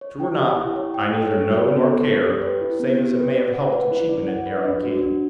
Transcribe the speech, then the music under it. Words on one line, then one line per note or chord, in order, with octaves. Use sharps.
True or not, I neither know nor care, save as it may have helped to cheapen it, ere I came.
C#5
G5
G4
E4
C#5
G5
A4
C#5
F#4
B3
A4
C#5
G4
B4
E4
B3
G4
B4
D5
F#5
B4
E4
D5
F#5
B4
D4
F#4
D4